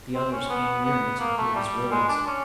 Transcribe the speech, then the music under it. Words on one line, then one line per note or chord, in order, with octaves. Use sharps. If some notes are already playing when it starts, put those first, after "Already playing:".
The others came nearer to hear his words.
C4
C#4
B3
B3
A#3
A3
G3
G#3
D4
C#4